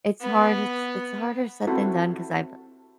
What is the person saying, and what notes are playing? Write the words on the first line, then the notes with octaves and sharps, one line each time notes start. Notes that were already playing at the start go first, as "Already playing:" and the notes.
it's hard it's it's harder said than done 'cause I've
B3
C4 E4 F#4 A4